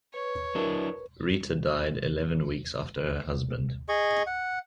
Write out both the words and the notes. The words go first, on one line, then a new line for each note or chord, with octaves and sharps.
Rita died eleven weeks after her husband.
B4 C#5
F#3 D4 E4 A#4
G#4 D#5 C#6
F#5